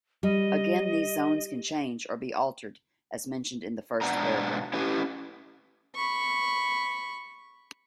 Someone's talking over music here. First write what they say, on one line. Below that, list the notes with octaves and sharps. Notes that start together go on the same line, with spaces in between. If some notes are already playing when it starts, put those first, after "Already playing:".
Again these zones can change or be altered as mentioned in the first paragraph.
G3 D#5
G#2 B2 B3 D4 A#5
C#4 E4 G4 B4
B5 C#6